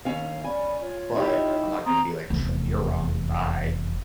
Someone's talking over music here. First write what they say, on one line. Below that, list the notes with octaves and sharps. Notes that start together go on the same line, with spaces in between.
but I'm not gonna be like, "Pfft, you're wrong, bye."
D#2 C#4 F5
C#4 D5 G#5 B5
F4 C#5
D#4 E4 G4
C4 A#5 C6 D#6
F1 E2